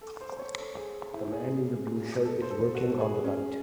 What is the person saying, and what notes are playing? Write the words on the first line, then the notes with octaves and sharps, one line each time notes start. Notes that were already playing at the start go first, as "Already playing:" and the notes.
The man in the blue shirt is working on the light.
A4
C5
C5
C#5
A4
G#4
E4
G#4
A4
C5
A4
F#4
G#4
C#4